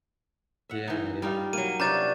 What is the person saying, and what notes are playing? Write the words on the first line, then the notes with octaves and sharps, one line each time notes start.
Yeah, yeah.
E5 F#5
E3 D#4
G3 D#4 F4
F#3 A#3 D#7
C3 D4 F4 F#4 B4 A#5 G6 A6